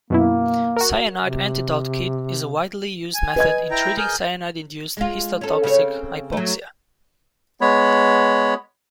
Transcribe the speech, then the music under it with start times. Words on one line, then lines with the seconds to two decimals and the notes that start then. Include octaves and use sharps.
Cyanide antidote kit is a widely used method in treating cyanide induced histotoxic hypoxia.
0.10 F#2 B2 A#3 E4
0.76 F#4 A#4
1.20 C3
3.15 G#5
3.36 B4 D#5 G#6
3.71 E4 G5 A#5
3.97 G#4 A#4 G6
4.97 G#3 F4
5.41 C#4 A4
5.64 C#3 C4 C#5
6.32 F#3 A3
7.61 G#3 B3 C#5 B5